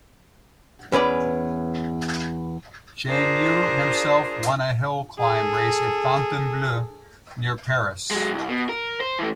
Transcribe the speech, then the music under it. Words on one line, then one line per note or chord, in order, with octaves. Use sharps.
Chaigneau himself won a hill climb race at Fontainebleau, near Paris.
E2 C#4 B4 D5
D4 F4 G#4 A#4 C5
G#4 A4
F#3 G#3
C2
B2
A#4
C5
E3 A3